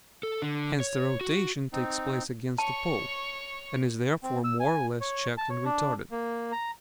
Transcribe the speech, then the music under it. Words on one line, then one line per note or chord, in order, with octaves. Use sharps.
Hence the rotation takes place against a pull, and is therefore more or less checked and retarded.
A4
D3
C#5
F#4
C4 D#4
C#5 A5 C#6
C4
E6
G#5
C#5
A5
C#5
D4
A#3
A#5